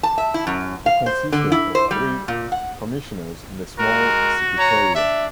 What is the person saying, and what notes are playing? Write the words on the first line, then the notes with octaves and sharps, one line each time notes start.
It consisted of three Commissioners and a small secretariat.
A5
E5
E4
F#2
F5
C5
D3
E4
C5
G3
A#2
F#5
G#3 F#4 A#4
C#5 A#5
D4 E5